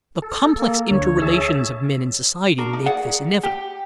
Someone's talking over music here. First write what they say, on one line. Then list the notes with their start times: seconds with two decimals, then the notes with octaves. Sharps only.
The complex interrelations of men in society make this inevitable.
0.22 A4
0.59 A#3
0.91 D2 D3 C#5
1.21 G#4 E5 A5
2.58 D4 F#4 A#4
2.73 D#4
2.86 G#4 D5 F#5
3.43 G4